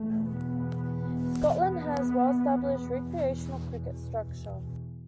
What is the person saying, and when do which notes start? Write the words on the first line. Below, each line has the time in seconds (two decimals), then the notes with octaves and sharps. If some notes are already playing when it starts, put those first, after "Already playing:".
Scotland has a well established recreational cricket structure.
Already playing: E2 B2 A3
0.31 B3
1.57 B3
2.19 E2 B2